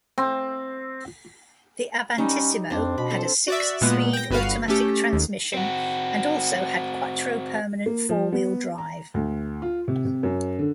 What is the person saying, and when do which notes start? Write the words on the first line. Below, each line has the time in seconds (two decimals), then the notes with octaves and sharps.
The Avantissimo had a six-speed automatic transmission and also had quattro permanent four-wheel drive.
0.18 C4
2.18 G3 C#4 D#4
2.70 F2 C4 D4
2.98 B2 B5
3.11 C4 A4
3.48 F#4 D5 E5
3.81 A#2 G#3 B3 F#5
4.13 G5 A#6
4.30 G1 B3 F#4 B4 F5
4.68 A3 C#4 G4 A4
5.13 D#2
5.54 C4 F#4
7.86 A#3
8.09 F3
8.32 B3
8.78 A#5
9.14 D2
9.62 F4
9.88 C3
10.05 C3
10.23 F#2
10.59 D3